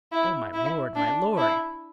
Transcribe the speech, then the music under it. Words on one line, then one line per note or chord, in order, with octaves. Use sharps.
"Oh, my lord, my lord!"
E4
E4
D4
E4